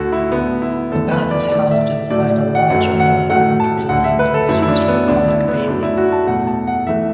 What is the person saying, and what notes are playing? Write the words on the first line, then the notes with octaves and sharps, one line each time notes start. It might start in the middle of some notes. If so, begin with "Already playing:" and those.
The bath is housed inside a larger-more elaborate-building and was used for public bathing.
Already playing: D2 D3 A3 F#4 A4
E4
D2 D3 A3 B3
E4
E2 D3 A3 A4
B4
D5
A2 A3 D5
E5
A2 F#3 A3 D5
F#5
F#2 F#3 A3 F#5
F#5
A2 F#3 A3 F#5
A5
D2 D3 A3 F#5
E5
B4
A4
F#2 F#3 A3 E4
E4
D4
B3
D2 D3 A3 D4
E4
B3
F#2 F#3 A3 D4
E4
F#4
A5
E2 B2 A3 F#5
A5
F#5
E2 E3 A3 E5